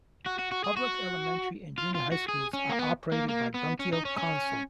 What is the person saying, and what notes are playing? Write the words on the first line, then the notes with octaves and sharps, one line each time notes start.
Public elementary and junior high schools are operated by Bunkyo council.
F#4
F#4
F#4
G#4
F#4
F4
F4
F#4
G#4
C#4
A#3
B3
A#3
A#3
B3
C#4
D#4
C#4
C#4